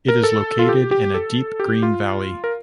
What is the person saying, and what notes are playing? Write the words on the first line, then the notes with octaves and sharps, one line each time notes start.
It is located in a deep green valley.
A#4
A4
F4
G4
G4
A4
G4
F4
A#4